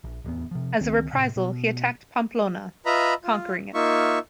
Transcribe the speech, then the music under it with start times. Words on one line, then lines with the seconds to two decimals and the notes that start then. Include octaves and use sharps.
As a reprisal he attacked Pamplona, conquering it.
0.04 A#1
0.24 D1 E2 B3
0.51 C3 F3
0.81 C#2 D#3 C4 C#4
1.13 A2 C3
1.36 B2
2.86 F4 B4 D#5 E5 A#5 B5
3.24 F4
3.74 A#3 D#4 F4 E5 C#6